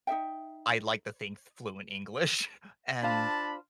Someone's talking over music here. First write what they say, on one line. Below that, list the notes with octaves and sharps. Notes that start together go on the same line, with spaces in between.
I like to think fluent English, and
D#4 G#4 E5 G5
D4 F4 C5 F5 A5 B5